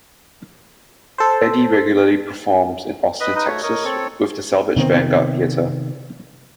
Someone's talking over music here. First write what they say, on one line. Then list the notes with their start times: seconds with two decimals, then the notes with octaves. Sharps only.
Eddy regularly performs in Austin, Texas with the Salvage Vanguard Theater.
1.18 A4 C5
3.20 B4 D#5 B5
3.35 D#4 B4 D#5
3.48 A3 F#4 C#5
3.63 A#4 C#5 D#5
3.84 C4 A4 C#5
4.76 C3 D#3 B3 C4